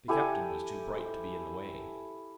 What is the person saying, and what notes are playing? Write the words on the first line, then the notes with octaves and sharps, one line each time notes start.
The captain was too bright to be in the way.
E4 G4 A4 G#5